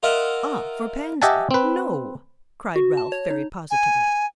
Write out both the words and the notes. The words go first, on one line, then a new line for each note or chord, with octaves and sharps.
"Ah, for Pansy, no!" cried Ralph very positively.
F4 A#4 D#5 E5 F#5
G4 D#5 E5 F#5 G#5 A5
C4 B4
F#4
A5
C#5
D#4
G#5